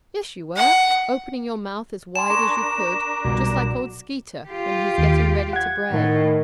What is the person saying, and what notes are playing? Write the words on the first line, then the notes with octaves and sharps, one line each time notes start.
"Yes, you were; opening your mouth as wide as you could, just like old Skeeter when he's getting ready to bray."
F#5
G#5 A5 C6 E7
D4 A#4 A#5 C#6
B1 B2 G3 F#4 D5
F4 G4
D#2
F#5 G#6
A2 D#3